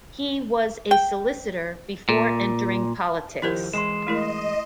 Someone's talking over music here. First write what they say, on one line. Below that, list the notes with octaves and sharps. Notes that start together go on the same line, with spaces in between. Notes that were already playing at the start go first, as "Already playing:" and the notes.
He was a solicitor before entering politics.
G5
A#2
D#2 F3 E4 G4 A#4 C5
E3 G#3 C6 C7 E7
A3 E4 A#4 D#5